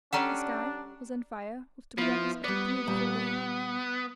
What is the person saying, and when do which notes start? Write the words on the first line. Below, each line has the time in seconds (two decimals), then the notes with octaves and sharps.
The sky was on fire with the promise of a beautiful day.
0.13 G3 C#4 D4 A4 F#5 A#5 C#6
1.98 F3 B3 E4
2.44 G3 B3 D5
2.87 A#2 G3